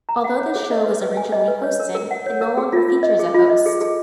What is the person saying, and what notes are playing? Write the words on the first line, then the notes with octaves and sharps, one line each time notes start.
Although the show was originally hosted, it no longer features a host.
A#5
F#5
C#5
G#4
D#5
B4
B4
G#5
D#5
B4
C#5
A#4
A#4
F#5
C#5
A#4
G#4
F4
F4
D#5
G#4
F4
D#5
G#4
G#4